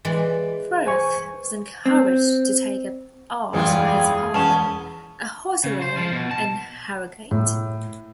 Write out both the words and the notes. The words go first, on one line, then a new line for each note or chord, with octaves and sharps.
Frith was encouraged to take up art by his father, a hotelier in Harrogate.
E3 G#3 D5
C5 G#5 C#6
C4
E1 A1 F#2 E3 G3 F4 G#4
E1 B3 C#4 A5 C#6 E7
C#3
C5
F3
B2
A5
A2